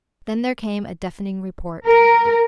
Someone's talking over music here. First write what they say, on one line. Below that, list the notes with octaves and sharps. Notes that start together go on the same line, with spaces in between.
Then there came a deafening report.
A#4